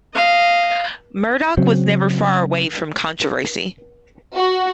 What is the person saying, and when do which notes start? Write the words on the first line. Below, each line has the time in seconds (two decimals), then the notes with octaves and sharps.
Murdoch was never far from controversy.
0.14 D#5 F5
1.57 C#3 F#3 C4 C#4
4.36 F#4